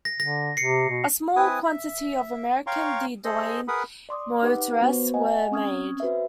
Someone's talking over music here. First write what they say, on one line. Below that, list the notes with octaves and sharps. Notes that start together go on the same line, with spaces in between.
A small quantity of American De Dion Motorettes were made.
A#6
D3 A#6
C3 C7 C#7
B2
C4 E4 B4 G#5 D#6
E5
C#5 F5 G5 A#5 C6 C#6
G#4 A4 C5 D#5
G#4 A#4 B4 F#5 B5 D#6
D5 C6 D6 D#6
D#4 G4 B4 F#5 D6
B3 F#4 B4 C5
D#5 F#5 G#5
C4 C#4 C#6 D#6 F6 G#6
F#4 B4 C5 E5